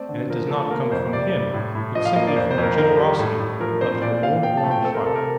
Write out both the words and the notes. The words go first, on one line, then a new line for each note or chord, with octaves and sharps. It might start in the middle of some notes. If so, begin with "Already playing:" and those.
And it does not come from him but simply from the generosity of your own warm heart.
Already playing: A3 C4 D5
D3
F3 A#4
A3 A4
A#3 A#4
F2 C5
C3 D5
G3
A2
A2
F3 D#5
F5
A#3 D#5
D5
F2 C5
C5
F2
A#4
D#3 A#4
G3
A2 A4
A2
F3 A#4
C4 C5
A#2 D5
A#2 F5
F3 G5
A5
A3
G5
C4 A4
A#4
C3 A4
A#4